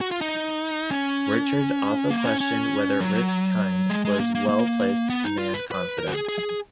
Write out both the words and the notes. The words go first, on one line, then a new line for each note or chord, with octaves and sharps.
Richards also questioned whether Rifkind was well-placed to command confidence.
F#4
F4
D#4
C#4
A#3
C#4
C#4
F#3
G#3
G#3
A#3
A#3
A#3
B3
D#4
F4
B4
B4
A#4
F#4
G#4
G#4